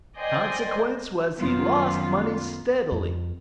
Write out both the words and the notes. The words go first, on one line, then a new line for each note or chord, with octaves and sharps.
Consequence was he lost money steadily.
C5 D5 D#5 G5 G#5 C6
F#2 D#3 B3 F4
F2